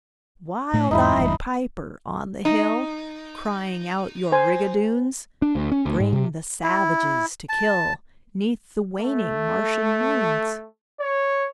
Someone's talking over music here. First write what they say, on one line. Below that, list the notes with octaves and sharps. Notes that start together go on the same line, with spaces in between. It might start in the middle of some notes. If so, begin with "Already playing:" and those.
"Wild-eyed Piper on the hill, Crying out your rigadoons, Bring the savages to kill 'Neath the waning Martian moons!"
A2 A3
E2 G#2 D#4 E4 B5
F#1 E2 G2
D#4
C5 G#5
D4
D2
C#4
D2
G#2
C3
E4
A5
A3
C#5